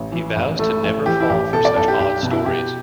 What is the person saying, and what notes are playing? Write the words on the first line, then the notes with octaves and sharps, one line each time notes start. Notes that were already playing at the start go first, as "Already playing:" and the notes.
He vows to never fall for such odd stories.
Already playing: A1
E3
A1
A2 A3
A1
E3 G4
E4
A1 G4
B2 A4
D5
B1 A4
G4
B1 G4
B2
E4
B2 G4